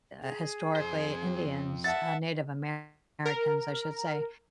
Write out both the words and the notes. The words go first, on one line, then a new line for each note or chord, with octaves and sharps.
uh, historically Indians, uh, Native Americans, I should say,
G#4
F2 C5
E5 F#5 A5 A6
A#4